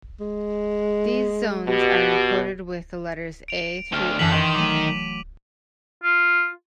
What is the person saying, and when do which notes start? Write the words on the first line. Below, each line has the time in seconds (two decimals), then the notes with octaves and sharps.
These zones are encoded with the letters "A" through "R".
0.20 G#3
1.67 B2 G4
3.48 D7 F7
3.92 D2 A3 G5 F6
4.19 F#2 D3 E3 A4 B6 F7 F#7
4.32 D#3 G5 C6 D6
4.55 F#3 A3 D6 D#7
6.04 F4